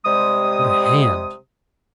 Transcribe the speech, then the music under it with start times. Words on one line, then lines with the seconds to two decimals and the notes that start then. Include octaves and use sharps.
What a hand!
0.05 C3 G3 G#3 D#6